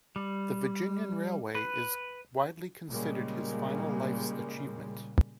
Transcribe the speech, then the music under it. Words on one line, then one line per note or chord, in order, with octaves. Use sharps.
The Virginian Railway is widely considered his final life's achievement.
G3
B4
A#2 C#3 G3 G#3 A#3